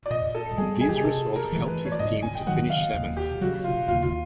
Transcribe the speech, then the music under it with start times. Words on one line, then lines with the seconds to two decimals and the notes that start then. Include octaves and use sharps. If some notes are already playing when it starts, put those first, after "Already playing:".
This result helped his team to finish seventh.
0.06 D5
0.10 A#2 D#5
0.35 A4
0.57 G3 B3 G#4
0.81 G#4
0.89 G4
0.96 G#4
1.05 C3 A4
1.36 A#4
1.52 E3 A3
1.68 B4
1.85 C#5
1.92 D5
1.99 G#2 D#5
2.22 G#5
2.35 G5
2.47 D#3 F#3 F#5
2.70 F5
2.94 D#2
3.17 G4
3.41 C#3 F#3 F#4
3.64 F4
3.88 D#2 F4
4.02 F4